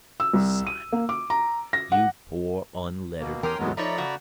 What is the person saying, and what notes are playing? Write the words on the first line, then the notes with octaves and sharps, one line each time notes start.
Simon! you poor unlettered fool.
E6
C2
D#7
A#3
D6
A#5
A#6
F#5
B2 A#3
E2 C#4 G4 A#4 G5 C6
E2 G#2 F#3 G#3 A3 B3
F3 A3 D#4 C#5 D5 A#5 B5
C#3 F#4